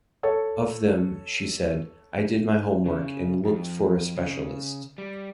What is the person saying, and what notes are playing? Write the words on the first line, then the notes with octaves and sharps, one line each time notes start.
Of them, she said, I did my homework and looked for a specialist.
A4 C#5
C#3
F2
C#3
G3